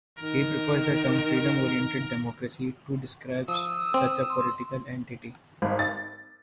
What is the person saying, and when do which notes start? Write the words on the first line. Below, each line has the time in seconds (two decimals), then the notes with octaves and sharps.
He prefers the term "freedom-oriented democracy" to describe such a political entity.
0.19 D#3 A#4
3.48 F3 D#6 E6
3.94 C4
4.30 C6
5.62 G#1
5.79 A6